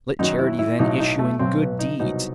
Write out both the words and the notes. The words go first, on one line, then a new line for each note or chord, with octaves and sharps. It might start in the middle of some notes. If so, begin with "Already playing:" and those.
Let charity then issue in good deeds.
F#2 D#3 F#3 D#4
E4
E4
B1 A2 F#3 D#4
D#4
A3
B1 B2 F#3 C4
B3
D#4
C2 B2 F#3 D#4